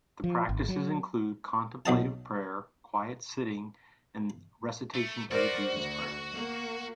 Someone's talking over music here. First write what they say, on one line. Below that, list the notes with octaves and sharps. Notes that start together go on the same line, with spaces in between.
The practices include contemplative prayer, quiet sitting, and recitation of the Jesus Prayer.
F3
G#1
F#3
B1 F#3 D#5 A5
A3
F#4 A#4 C5 D5
D2
A#3